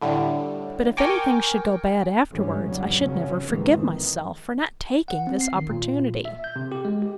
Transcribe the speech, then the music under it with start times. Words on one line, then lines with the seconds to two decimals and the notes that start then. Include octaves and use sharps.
But if any thing should go bad afterwards, I should never forgive myself, for not taking this opportunity.
0.02 A2 D3 G3
0.97 A#4 G5 G#5 C#6 D6
2.32 D2 G#2 D3 E3 G3 C#4
2.64 E2 G2 C#3 F#3 G3
2.98 F1 C2 A2 C#3 F#3 C#4
3.47 F#1 F2 A2 D#3 E3 G#3
3.78 D#3
5.08 F#5
5.27 C4
5.41 C7
5.55 D#3
5.69 A#2
6.25 E5
6.44 G6
6.56 C3
6.72 G4
6.85 G#3
7.02 G4